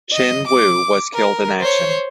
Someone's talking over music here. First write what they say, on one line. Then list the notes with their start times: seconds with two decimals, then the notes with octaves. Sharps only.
Chen Wu was killed in action.
0.12 D#5
0.47 D6
1.14 A#4
1.60 C5 C#5